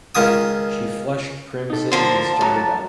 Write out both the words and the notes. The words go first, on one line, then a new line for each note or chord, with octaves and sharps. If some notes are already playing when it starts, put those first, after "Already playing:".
She flushed crimson and started up.
C#2 D#3 G#5 D#6
D#4 A4
D3 F3 A#4 C5 A5
C2 F#2 F#4 A#5